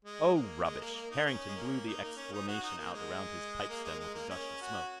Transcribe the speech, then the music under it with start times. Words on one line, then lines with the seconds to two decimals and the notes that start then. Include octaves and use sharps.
"Oh, rubbish!" Harrington blew the exclamation out around his pipe-stem with a gush of smoke.
0.05 G#3
0.35 A#3
0.64 G#3
0.81 A#3
0.95 A#3
1.11 D#4
1.26 C#4
1.48 G#3
1.56 A#3
1.87 D#4
2.02 A#3
2.17 C#4
2.33 D#4
2.48 F#4
2.63 D#4
2.78 A#3
2.94 G#3
3.70 A#3
3.84 G#3
4.00 G#3
4.14 A#3
4.30 C#4
4.61 F#4